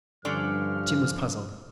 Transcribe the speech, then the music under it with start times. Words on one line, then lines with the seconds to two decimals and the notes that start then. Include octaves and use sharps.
Tim was puzzled.
0.25 G2 D3 F3 C#4 D5 F6